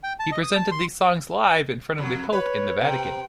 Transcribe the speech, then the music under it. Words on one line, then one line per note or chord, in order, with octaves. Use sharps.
He presented these songs live in front of the Pope in the Vatican.
G5
A5
D#5
D#6
A5
C6
F2 F#3
B4 C#5
C3 G5